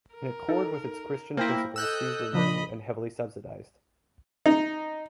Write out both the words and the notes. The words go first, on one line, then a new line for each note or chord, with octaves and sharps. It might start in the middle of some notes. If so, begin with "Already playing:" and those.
In accord with its Christian principles, fees were low and heavily subsidised.
A#4
D#4 A4
A#3 E4 C5 G5 A#6
A4 D#5 E6 F#6 G6
C#3 F3 D4 D#5 B5
D#4